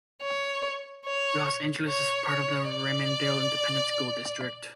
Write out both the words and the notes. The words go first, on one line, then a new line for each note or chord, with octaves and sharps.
Los Angeles is a part of the Raymondville Independent School District.
C#5
C#5
C#5
C#5
D5